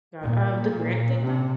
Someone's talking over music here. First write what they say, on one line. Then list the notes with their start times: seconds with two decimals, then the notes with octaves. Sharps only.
God, uh, with the Grant thing though,
0.22 A#2
1.23 C3